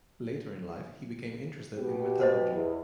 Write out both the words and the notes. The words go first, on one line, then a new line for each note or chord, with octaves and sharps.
Later in life he became interested in metallurgy.
B2 B3 G4
C5 D#5
E2